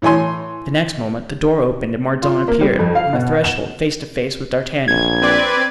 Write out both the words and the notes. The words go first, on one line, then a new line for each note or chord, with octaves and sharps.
The next moment the door opened and Mordaunt appeared on the threshold, face to face with D'Artagnan.
A2 E3 C#5 G#5 C6
F4
A#3
G3
F2
F5
B2
E7
A#1 G#6
C4 B4 D5